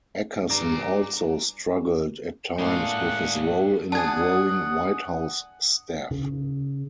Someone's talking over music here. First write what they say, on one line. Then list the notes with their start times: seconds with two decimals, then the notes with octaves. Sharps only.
Akerson also struggled at times with his role in a growing White House staff.
0.50 G2 D5 A#5
2.58 D2 A2 G#3 A#3 D4 G#4 F5 F#5
3.92 D4 G#4 F#5 A5 D#6 G#6
6.11 C#3